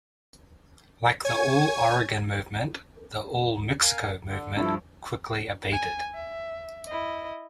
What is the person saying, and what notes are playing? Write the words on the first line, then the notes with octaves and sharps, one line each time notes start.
Like the All Oregon movement, the All Mexico movement quickly abated.
C#5 G#5 G#6
A#4 F5 G#5
D3
G2 F3 E4 A4
G#5
E5
E4 D#5